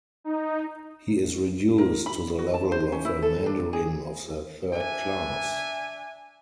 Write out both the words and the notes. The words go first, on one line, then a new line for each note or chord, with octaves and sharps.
He is reduced to the level of a mandarin of the third class.
D#4
A#4
B5
F#4
A5
C5
C#4
E4
A4
D4
G#4
D4 E5 G#5